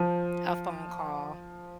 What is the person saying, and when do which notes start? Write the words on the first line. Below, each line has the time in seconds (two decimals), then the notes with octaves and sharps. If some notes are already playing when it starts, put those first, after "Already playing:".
A phone call.
Already playing: F3